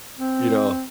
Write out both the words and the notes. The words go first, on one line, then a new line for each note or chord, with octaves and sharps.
you know.
C4